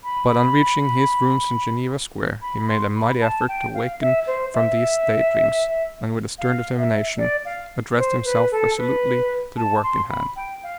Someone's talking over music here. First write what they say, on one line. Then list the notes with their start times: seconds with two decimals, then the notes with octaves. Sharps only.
But on reaching his rooms in Geneva Square he made a mighty effort to waken from these day dreams, and with a stern determination addressed himself resolutely to the work in hand.
0.04 B5
2.42 B5
2.57 B5
2.68 C6
2.95 B5
3.21 A5
3.48 G5
3.74 F5
4.01 E5
4.27 C5
4.54 E5
6.38 F5
6.78 E5
7.18 D5
7.45 F5
7.97 C5
8.24 B4
8.51 A4
8.77 B4
9.57 A5
9.83 C6
10.09 B5
10.36 G5
10.63 F5